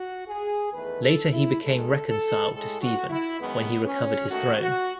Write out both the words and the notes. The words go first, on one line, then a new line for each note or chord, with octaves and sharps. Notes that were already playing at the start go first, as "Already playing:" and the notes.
Later he became reconciled to Stephen when he recovered his throne.
Already playing: F#4
G#4
E2 D#3 A3 B4
A4
E4
D#2 D#3 G#3 A4
A4
A2 G#3 A4
F#4
E4
F#2 D#3 G#3 B3
C#4
D#2 D#3 A3 F#4
F#4